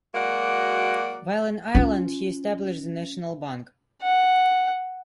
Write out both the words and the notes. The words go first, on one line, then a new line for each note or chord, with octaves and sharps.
While in Ireland he established the National Bank.
F#3 G#3 A#3 F#4 D5 F#5
C#4 F4
F#5